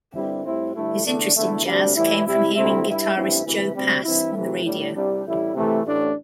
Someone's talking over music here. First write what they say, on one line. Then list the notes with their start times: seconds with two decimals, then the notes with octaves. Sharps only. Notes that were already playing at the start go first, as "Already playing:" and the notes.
His interest in jazz came from hearing guitarist Joe Pass on the radio.
0.14 G2 D3 G3 C4 E4
0.44 A2 G3 C4 E4
0.74 G2 D3 A3 E4
1.05 E2 D3 A3 D4
1.34 E2 D3 A3 E4
1.65 D2 C3 G3 D4
1.94 A2 E3 G3 E4
2.24 C3 G3 E4
2.54 D2 C3 A3 C4 E4
2.84 G2 G3 E4
3.13 A1 G2 E3 C4 E4
3.44 D2 C3 E3
3.73 D2 C3 G3 C4
4.03 G2 E3 C4 E4
4.33 C3 E3 A3
4.63 A2 G3 D4
4.93 C2 C3 G3 D4
5.24 A1 A2 G3 E4
5.53 C3 E3 A3
5.83 A1 A2 A3 D4